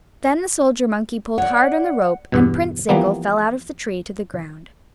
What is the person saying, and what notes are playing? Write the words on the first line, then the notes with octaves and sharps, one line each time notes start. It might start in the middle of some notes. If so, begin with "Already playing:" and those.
Then the soldier-monkey pulled hard on the rope, and Prince Zingle fell out of the tree to the ground.
C#5 D5 F#5
E2 G2 B2
E3 F3 G3 A#3 B3